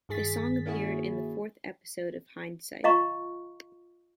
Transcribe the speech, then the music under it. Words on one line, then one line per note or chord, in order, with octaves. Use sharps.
The song appeared in the fourth episode of "Hindsight".
G2 D#3 G#4 A6 B6
A#3 C#4 E4 F#4 G#4
F4 D#5 F5 A#5 C#6